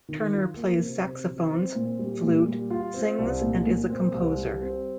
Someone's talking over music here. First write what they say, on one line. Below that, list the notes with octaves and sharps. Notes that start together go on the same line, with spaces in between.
Turner plays saxophones, flute, sings and is a composer.
D#3
F4
A#3
C3
C3
C3
C4
A#2
G3
A#2
G3
F4
C4
C2
A#2
A#2
C4
C2
G3
C4